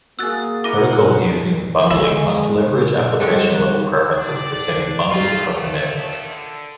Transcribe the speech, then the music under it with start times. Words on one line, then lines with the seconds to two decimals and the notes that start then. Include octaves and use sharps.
Protocols using bundling must leverage application-level preferences for sending bundles across a network.
0.19 A#3 F#4 G#4 E6 F#6 A6
0.64 E4 A#4 F#5 D6 A#6 D#7
1.01 D4
1.91 G#3 E4
3.20 C2 G#3 G4 A4 C#5 D#5 F#5
4.15 D3 C4 D4 D5
5.08 E3 A3 C4 F4
5.47 C3 D#3 F3 A3
6.26 D3